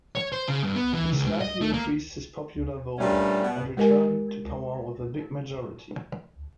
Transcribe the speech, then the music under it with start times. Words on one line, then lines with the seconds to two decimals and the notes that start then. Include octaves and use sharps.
He slightly increased his popular vote and returned to power with a big majority.
0.15 C#5
0.32 C5
0.48 C#3
0.63 G2
0.75 B3
0.93 E3
1.13 C#2
1.27 G#2
1.41 D#5
1.61 A3
1.74 A#3
2.99 G2 A#2 G3 A3 C#4
3.42 B2 B3
3.77 G#3 G4 A#4 D#5 G#5